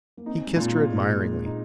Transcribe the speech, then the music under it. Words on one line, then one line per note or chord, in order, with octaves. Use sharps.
He kissed her admiringly.
A#3
C4 D#4
G#3
A#2 A#3
G#3
A#2
D#4